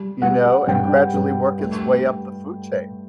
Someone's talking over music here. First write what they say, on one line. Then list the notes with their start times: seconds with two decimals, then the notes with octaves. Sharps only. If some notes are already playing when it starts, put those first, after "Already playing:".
you know? And gradually work its way up the food chain."
Already playing: G3
0.22 G3 F#5
0.67 G2 G5
1.14 G2
1.59 A3